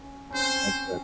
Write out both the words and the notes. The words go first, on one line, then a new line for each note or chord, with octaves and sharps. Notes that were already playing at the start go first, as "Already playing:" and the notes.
and for
Already playing: C#4
C#4
C4 C5